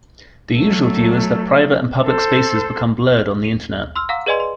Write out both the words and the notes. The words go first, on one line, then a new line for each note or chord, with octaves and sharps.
The usual view is that private and public spaces become blurred on the Internet.
F#3 A3
A4 C5
D#7 F7
C6 E6 F6
F5 F#5 A#5 D6 E6
G#4 B4 D5 D#5 G#5 C6
C6